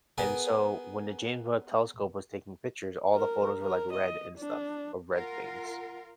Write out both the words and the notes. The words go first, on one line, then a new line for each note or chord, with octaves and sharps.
and so, when the James Webb Telescope was taking pictures, all the photos were, like, red and stuff of red things,
B3 G#4 A#4
A#4
A#4
D#5
D4
F4 A#4 F#5